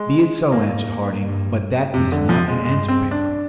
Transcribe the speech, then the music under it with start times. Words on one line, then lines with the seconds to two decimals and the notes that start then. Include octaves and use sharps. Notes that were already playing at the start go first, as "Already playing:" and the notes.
"Be it so," answered Harding, "but that is not an answer, Pencroft."
Already playing: G#3
0.52 G#2 A#3
1.24 G2
1.94 F2 C3
2.12 D3
2.29 F3
2.48 G#3
2.65 G2 G#3
2.88 C4
3.11 D4